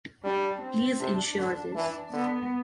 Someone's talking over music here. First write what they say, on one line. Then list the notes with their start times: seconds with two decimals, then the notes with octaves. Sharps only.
Please insure this.
0.24 G3 D4
0.62 C4
1.00 C3 D4
1.38 D3 D4
1.76 E3 D4
2.13 D3 B3